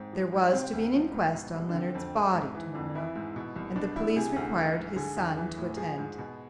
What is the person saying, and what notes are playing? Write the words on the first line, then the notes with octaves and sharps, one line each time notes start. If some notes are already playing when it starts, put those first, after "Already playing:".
There was to be an inquest on Leonard's' body tomorrow, and the police required his son to attend.
Already playing: G#2 C4
F3
G#2
C3 C4
D2
F3
G#2
B2
C2
D4
D3 C4
F2 C4
G#3
G#2
E3
F2
E3 E4
G#2
B2
C2
B2 D4
C2 E4
C3 G#4
D2
E3
G#2
D3 G#4
E2
E3
A2
F3 G#4
G#2
B2